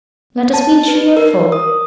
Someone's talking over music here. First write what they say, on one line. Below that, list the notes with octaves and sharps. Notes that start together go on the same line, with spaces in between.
Let us be cheerful.
A5
B4
A#4
D#6